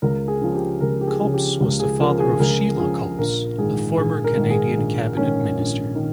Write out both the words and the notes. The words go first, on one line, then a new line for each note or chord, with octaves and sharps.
Copps was the father of Sheila Copps, a former Canadian cabinet minister.
C#2 A#4
G#4
C#3 F3
G4
C#2 A#4
G4
G#4
C#3 F3
G4
C#2
G#4
C#3 F3 A#4
G#4
C#2 A#4
C#3 F3 G#4
A#1 A#4
G#2 D#3 G#4
A#1 G#4
A#4
G#2 D#3
G#4
A#1
G#2 D#3 C#4
A#1
D#3